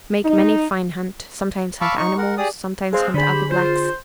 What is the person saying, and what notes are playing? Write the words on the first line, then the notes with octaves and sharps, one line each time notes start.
Make many fine hunt, sometimes hunt animals, sometimes hunt other Blacks.
D#4
F5 A5 B5 C#6 D6 E6
D#4 C#6
A#4 F#5
G4 G#4 D5 D#6
F3 G#3 C4 G#4 C5 F5
D3 G#4 C5 D5 B5
G4
F4 C5